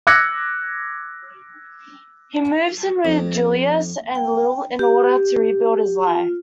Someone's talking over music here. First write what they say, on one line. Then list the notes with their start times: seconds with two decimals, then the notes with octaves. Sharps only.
He moves in with Julius and Lil in order to rebuild his life.
0.07 D6 E6 F#6 G#6 A#6 C#7
3.05 F2
4.15 G5
4.79 G4
6.07 F4